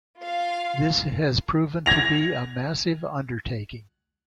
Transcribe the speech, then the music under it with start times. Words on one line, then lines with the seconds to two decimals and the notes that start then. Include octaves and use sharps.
This has proven to be a massive undertaking.
0.18 F4 F5
1.86 G#6 A#6 F7